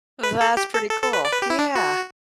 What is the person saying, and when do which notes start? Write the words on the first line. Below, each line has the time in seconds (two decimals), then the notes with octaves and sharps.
That's pretty cool, yeah.
0.23 B4
0.41 A4
0.57 G4
0.74 A4
0.91 A4
1.03 A4
1.13 B4
1.25 D5
1.33 B4
1.42 G4
1.50 E4
1.59 D4
1.76 F#4